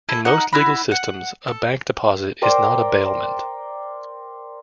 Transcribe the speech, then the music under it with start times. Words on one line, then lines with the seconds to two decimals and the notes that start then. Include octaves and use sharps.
In most legal systems, a bank deposit is not a bailment.
0.09 E4 A4
0.25 D#4 F#5
0.53 E4 F#4 B5
0.91 F#5
1.48 A4
2.42 A#4 C5 D5 G5